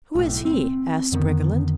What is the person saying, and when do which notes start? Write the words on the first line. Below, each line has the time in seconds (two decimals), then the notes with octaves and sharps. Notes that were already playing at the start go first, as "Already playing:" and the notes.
"Who is he?" asked Briggerland.
0.15 B1 A2
0.45 C4
1.12 F2 D3 D#3 B3